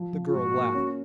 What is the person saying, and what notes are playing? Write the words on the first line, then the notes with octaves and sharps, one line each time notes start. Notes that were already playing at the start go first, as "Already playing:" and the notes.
The girl laughed.
Already playing: F3
F3
F4
G#2 F#4
A#3
C#4